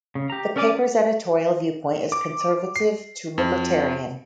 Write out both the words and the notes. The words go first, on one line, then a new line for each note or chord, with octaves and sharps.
The paper's editorial viewpoint is conservative to libertarian.
C#3
G4 A#5
C#4 A#4 D5 G#5 D6
B3
D6
C7
F2